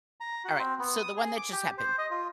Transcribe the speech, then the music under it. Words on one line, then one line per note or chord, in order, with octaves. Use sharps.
Alright, so the one that just happened.
A#5
F#4
C4
B3
D#6
G#4
D6
G4
C5
D#5
F4